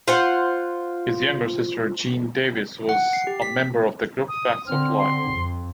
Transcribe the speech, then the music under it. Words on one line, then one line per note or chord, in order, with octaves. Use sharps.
His younger sister, Jean Davis, was a member of the group, Facts of Life.
F4 C5 F#5
F#5
C7
G4
B6
D#6
D3 C4 F6
C6
F2